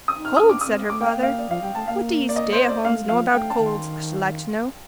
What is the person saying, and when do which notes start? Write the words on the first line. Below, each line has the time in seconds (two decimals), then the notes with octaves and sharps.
'Cold!' said her father, 'what do ye stay-at-homes know about cold, a should like to know?
0.08 D#6
0.16 D#4
0.25 F6
0.37 D4 D#6
0.49 D6
0.61 D#6
0.66 C4
0.90 A3 D6
1.01 G5
1.06 F5
1.14 A#3
1.23 F5
1.39 D5
1.49 F3 F5
1.62 G3 G5
1.75 A3 A5
1.88 A#3 F5
2.29 D5
2.36 D#5
2.52 C5
2.69 D5
2.85 A3 F5
3.04 G3
3.09 F3 F5
3.33 A3 G5
3.50 A5
3.58 D#3
3.66 C6